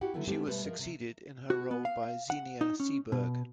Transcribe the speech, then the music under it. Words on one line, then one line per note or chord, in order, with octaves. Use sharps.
She was succeeded in her role by Xenia Seeberg.
E4 F#4 G4 F#5
D3 D#3 F#3 A3 B3 E4
G#3 A3 B3 C4 E4 G4
B2 G3 A3 B4 C5
F3 G#4 A#4 D#5 E5
C3
F#4
B3
F5
F#5
D#4
C#4
B2